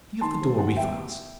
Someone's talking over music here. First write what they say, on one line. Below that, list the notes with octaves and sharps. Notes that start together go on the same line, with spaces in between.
See if the door be fast.
D#3 A5 C6
G3 C4
D#3 F#5 A5
G3 B3 E5 G5